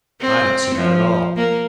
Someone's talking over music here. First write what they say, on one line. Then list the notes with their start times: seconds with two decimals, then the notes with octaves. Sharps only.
"I don't see that at all."
0.21 C4
0.76 F3
1.37 A#3